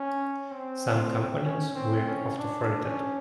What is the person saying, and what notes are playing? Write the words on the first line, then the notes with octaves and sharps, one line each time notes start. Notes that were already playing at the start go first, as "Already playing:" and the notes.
Some components were autofretted.
Already playing: C#4
C4
C#4
C4
C#4
D4
C#4